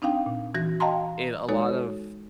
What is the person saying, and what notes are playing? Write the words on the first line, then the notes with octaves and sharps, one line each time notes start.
it a lot of
C4 D4 D#4 F5 G5
A#2
E3 F#4 A#6
D#5 F5 G5 A5 A#5 C6
G#3 D#4 F#4 A4 C#5